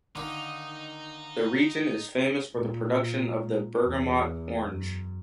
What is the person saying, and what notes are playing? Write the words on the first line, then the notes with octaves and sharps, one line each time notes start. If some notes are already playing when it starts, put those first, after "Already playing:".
The region is famous for the production of the Bergamot orange.
D3 D#3 A#3 D#4
A#2
E2
F#2